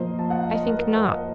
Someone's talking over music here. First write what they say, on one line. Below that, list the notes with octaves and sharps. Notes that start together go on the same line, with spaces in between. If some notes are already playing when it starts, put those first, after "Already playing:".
I think not.
Already playing: A#2 F3 A#3 C5 D#5
A5
F#5
F5
D#5
A#4
A#4
C5
D#5